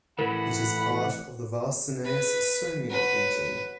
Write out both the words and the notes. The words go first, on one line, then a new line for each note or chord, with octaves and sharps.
It is part of the Varsinais-Suomi region.
A2 E3 A#4 F#5 B5
B4
F#3 B4 C#5